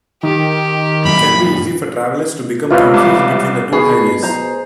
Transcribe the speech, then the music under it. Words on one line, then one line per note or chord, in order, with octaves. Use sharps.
It can be easy for travelers to become confused between the two highways.
D#3 G4
F#2 A#2 B5
C#2 C3 E3 F4 B4 F5
C2 D6
B2 G#4
C5 A#5